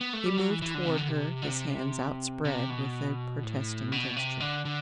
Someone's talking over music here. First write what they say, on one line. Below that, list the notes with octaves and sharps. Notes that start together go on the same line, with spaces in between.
He moved toward her, his hands outspread with a protesting gesture.
B3
A3
G3
F#3
E3
E3
D3
C3
D3
C3
D3
C3
C3
B2
A2
B2
C3
D3
D3